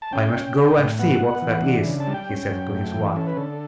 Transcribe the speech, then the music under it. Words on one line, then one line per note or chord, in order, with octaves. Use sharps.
'I must go and see what that is,' he said to his wife.
A5
C#4 G5
C#4
D4
A2
B3 F#5
B3
E3
D4
C#3
A5
G3
G5
C#4
F#2
A3
E3
C#4 A4
B4
D3 A4